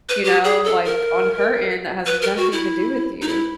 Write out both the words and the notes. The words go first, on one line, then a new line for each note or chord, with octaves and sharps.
you know? Like, on her end that has nothing to do with you.
B4
G4
G#4
A4
A#4
B4
A#4
F#4
E4
D#4
E4